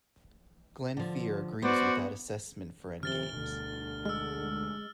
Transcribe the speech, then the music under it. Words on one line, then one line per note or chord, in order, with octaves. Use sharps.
Glenn Flear agrees with that assessment for endgames.
D3 F3
B3 F#4 C5 D5
C3 D#3 F3 F6 A6 G7
D2 B2 D3
G#3 E6 F6